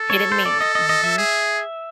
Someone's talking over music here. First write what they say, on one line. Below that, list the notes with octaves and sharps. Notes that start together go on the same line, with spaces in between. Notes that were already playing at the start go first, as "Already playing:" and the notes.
He didn't mean it. Mhm.
Already playing: A4
C#5
C5
D5
D#5
D#5
D#5
E5
G#4